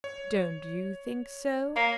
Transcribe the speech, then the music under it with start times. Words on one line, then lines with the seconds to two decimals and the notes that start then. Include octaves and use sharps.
'Don't you think so?
0.04 C#5
1.76 A#3 C#5 F5 A#5